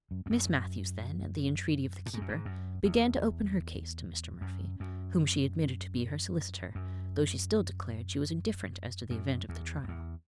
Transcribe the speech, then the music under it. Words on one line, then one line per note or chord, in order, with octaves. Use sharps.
Miss Matthews then, at the entreaty of the keeper, began to open her case to Mr. Murphy, whom she admitted to be her solicitor, though she still declared she was indifferent as to the event of the trial.
F#2
E2
F#2
A2
G#2
F#2
G#2
F#2
E2
F#2
F#2
F#2
F#2
E2
F#2
E2